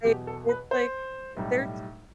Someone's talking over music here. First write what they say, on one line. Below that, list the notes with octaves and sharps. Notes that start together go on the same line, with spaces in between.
they it's like, uh, they're, t
E2 B2 F#3 G4
A4
B4
C5
B1 A2 G3